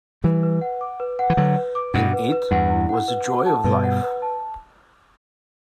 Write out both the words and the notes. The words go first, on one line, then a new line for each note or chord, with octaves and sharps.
In it was the joy of life.
E3 G3 B4
B4
F#5
D6
B4
F#5
E3
D3 F#3 B4
B4
D6
G2 B2 F#5
B4
B4
E2 G2 F#5
E4
F#5
B4
F#5
A5
G2 B2 B4
F#5
B4
A5